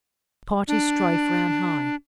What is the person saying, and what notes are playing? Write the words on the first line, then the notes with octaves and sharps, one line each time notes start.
Party strife ran high.
D4